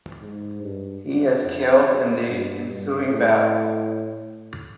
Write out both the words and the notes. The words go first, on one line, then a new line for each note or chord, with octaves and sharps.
He is killed in the ensuing battle.
G#2
G2
F2
G2
G2
A2